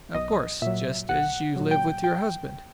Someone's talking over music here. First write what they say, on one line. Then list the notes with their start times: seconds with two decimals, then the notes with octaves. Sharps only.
"Of course--just as you live with your husband."
0.14 B1 D#5
0.62 A#2 F#3 E5
1.09 B1 F#5
1.56 A#2 F#3
1.71 G5
2.04 G5